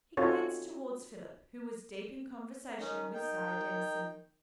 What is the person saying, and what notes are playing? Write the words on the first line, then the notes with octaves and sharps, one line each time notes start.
He glanced towards Philip, who was deep in conversation with Sara Denison.
C4 D#4 F4 F#4 A4 C#5
D#3 C#4 D#4
D#4 G5